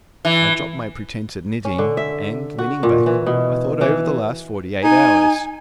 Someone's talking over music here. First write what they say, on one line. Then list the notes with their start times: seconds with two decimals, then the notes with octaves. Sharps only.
I dropped my pretense at knitting and, leaning back, I thought over the last forty-eight hours.
0.25 E3
1.65 C#4
1.78 D3
1.97 E5
2.59 F#4
2.83 A#2
3.06 E3
3.27 B2
3.81 E3
4.84 D#4 G#5